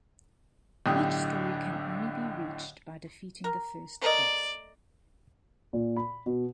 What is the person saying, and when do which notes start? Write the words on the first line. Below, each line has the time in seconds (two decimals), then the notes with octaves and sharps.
Each story can only be reached by defeating the first boss.
0.86 B1 A2 D3 G4 D#6
3.44 A#4
4.01 A3 A#4 D5 D#5
5.73 A#2
5.96 B5
6.26 B2